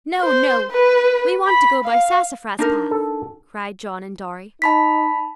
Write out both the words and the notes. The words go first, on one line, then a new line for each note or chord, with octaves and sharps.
"No, no! We want to go by Sassafras Path!" cried John and Dorry.
C5
B4
B5
F5
D4 D#4 A#4
A4
D#4 A5 B5 B6